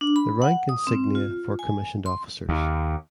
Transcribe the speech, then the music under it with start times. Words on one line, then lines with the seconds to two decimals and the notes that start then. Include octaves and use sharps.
The rank insignia for Commissioned officers.
0.01 D4
0.16 B5
0.42 F#5
0.69 D#6
0.87 C4
1.15 F4
1.59 G#5
2.06 C6
2.49 D#2